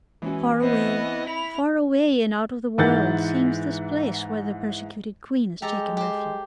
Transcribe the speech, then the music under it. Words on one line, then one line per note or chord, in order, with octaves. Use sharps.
Far away, far away and out of the world seems this place where the persecuted Queen has taken refuge.
E3 G#3 C#4 F#4
B3 C4 D#5 E5
E4 B5 F7
G#2 E3 E4 F#5 G6 A6
G#3 G4 A4 A#5
G4 C5